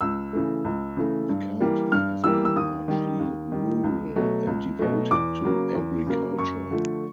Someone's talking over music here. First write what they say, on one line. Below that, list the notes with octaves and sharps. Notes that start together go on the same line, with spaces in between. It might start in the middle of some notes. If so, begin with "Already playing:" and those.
The county has been largely rural and devoted to agriculture.
C#2 E6
C#3 E3 A3
C#2
C#3 E3 A3
G2
E3 G3 A#3
G2 F6
E3 G3 A#3 E6
E6
D#2 D#6
D#3 G3
D#2
D#3 G3
C#2
B2 F#3 A3
C#2
B2 F#3 A3
E2 D6
C#3 F#3 A#3
E2
C#3 F#3 A#3
F#2 C#6
D3 F3 A3